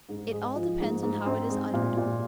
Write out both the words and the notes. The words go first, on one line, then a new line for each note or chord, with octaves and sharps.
It all depends on how it is uttered.
G#2
G#3
F3
G#2
G#2
C4
G#3
A#2
A#2